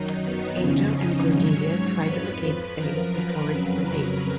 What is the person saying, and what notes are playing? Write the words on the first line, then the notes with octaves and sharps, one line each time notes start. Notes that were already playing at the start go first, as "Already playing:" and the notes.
Angel and Cordelia try to locate Faith before it's too late.
Already playing: F#2 D#3 F#3 D#4
B3
F2 C#3 F3 C#4
D#4
G#2 F#3 C#5
F2 F3 B4
B4
F#2 F3 A#4
B4
F2 C#3 F#3 B4
A#4